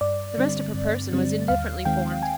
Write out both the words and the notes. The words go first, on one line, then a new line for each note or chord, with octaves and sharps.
The rest of her person was indifferently formed.
G2 D5
D3 G3 C4
G2
D3 G3 C4
D#2 F5
D#3 G#3 C4 G5
G#5